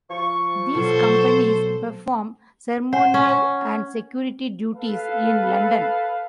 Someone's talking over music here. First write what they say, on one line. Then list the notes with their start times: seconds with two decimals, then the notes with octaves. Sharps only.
These companies perform ceremonial and security duties in London.
0.10 F3 C#6
0.75 B2 F#3 A4 C5
2.93 C5 F#5
3.14 C#4
4.76 A4 B4 F5